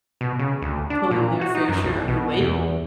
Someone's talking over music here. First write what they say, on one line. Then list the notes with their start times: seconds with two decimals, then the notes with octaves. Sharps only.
pulling their fair share of the weight
0.21 B2
0.39 C#3
0.62 D2
0.90 D4
1.11 A#2
1.41 F#4
1.55 D#4
1.69 F#2
1.83 B1
2.08 B2
2.40 E2